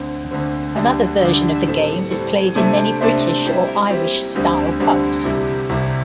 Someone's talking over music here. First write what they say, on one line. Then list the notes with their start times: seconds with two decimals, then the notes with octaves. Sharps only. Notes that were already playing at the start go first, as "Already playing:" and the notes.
Another version of the game is played in many British- or Irish-style pubs.
Already playing: D2 D3 C4
0.31 D2 D3 C4
0.76 D2 D3 G3 D4
1.21 D2 D3 G3 D4
1.66 A2 G3 C4 A4
2.11 A2 G3 C4 A4
2.55 C3 A3 D4 C5 E5
3.01 C3 A3 D4 C5 E5
3.45 G3 C4 E4 G4
3.90 G3 C4 E4 G4
4.35 D2 D3 G3 C4
4.80 D2 D3 G3 C4
5.24 C2 C3 G3 E4
5.69 C2 C3 G3 E4